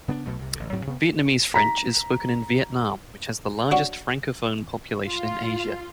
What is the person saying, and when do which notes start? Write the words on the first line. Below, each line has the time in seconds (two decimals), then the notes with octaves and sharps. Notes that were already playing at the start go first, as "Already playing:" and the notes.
Vietnamese French is spoken in Vietnam, which has the largest Francophone population in Asia.
0.08 C#3 B3 C#4 D4
0.26 B1 B2 F#3 A3
0.39 C2 C3
0.55 A1 D3
0.72 D2 G#2 F#3 C4
0.87 C3 B3
1.54 A#5 B6
3.71 C#4 D4 F#4 F#5
5.06 F4